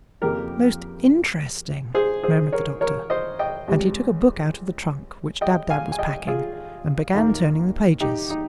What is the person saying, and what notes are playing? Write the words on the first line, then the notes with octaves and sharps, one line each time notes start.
"Most interesting!" murmured the Doctor; and he took a book out of the trunk which Dab-Dab was packing and began turning the pages.
F2 C#3 F3 A#3 G4 A#4
G#4 C5
G#4 C5
A#4 C#5
A#4 C#5
C5 D#5
D#5 G5
C#2 C3 G3
D#5 G5
F5 G#5
G#5
D#5 G5
F4 G#4
D#2 D#3 A#3
D#4 G4
D#4